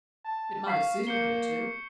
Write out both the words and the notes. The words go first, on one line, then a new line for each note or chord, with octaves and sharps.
It might have suited her too.
A5
F5 C#6 B6 C7
A#3 G6 C#7 G7